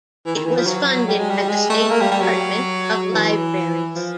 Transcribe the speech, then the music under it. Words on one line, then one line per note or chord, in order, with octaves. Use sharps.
It was funded by the State Department of Libraries.
E3
D#3
E3
F3
F#3
G3
G#3
G3
G#3
A3
A#3
G3
G3
F#3
E3
F3